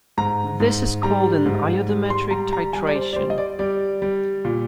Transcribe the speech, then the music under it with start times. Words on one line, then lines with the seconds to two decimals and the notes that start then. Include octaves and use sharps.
This is called an iodometric titration.
0.18 G#2 A#5
0.60 G#2
1.03 G3 A#5
1.45 G#2
1.89 G3
2.10 C6
2.31 G3 A#5
2.53 A#5
2.73 G3 G#5
2.87 D5
2.96 C5
3.13 D5
3.16 G3 C5
3.30 D#5
3.38 D5
3.59 G3 D5
4.02 G3
4.45 A#2